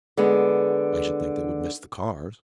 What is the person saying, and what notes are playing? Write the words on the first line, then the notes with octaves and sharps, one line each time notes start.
"I should think they would miss the cars."
D3 G#3 B3